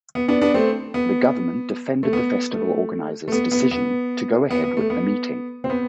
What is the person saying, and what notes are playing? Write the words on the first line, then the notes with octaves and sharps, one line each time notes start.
The Government defended the festival organisers decision to go ahead with the meeting.
B3
B3 D4
B3 D4
A3 C4
B3
A3
B3
A3
A3
B3
B3
B3
B3
B3
A3
B3
C4
B3